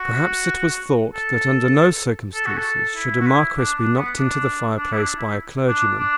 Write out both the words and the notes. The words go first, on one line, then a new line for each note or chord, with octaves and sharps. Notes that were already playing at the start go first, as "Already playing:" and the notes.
Perhaps it was thought that under no circumstances should a Marquis be knocked into the fireplace by a clergyman.
Already playing: F#4
A4
A4
F#4
A4
E4
F#4
E4
D4
D4
B3
D4
D4
E4
D4
E4
D4
D4